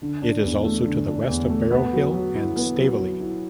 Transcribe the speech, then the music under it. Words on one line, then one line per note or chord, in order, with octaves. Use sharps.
It is also to the west of Barrow Hill and Staveley.
D3
D4
E2
A3
D3
D4
E2
A3
B3
F#3
F#3
E4
B3
F#3
F#3
E4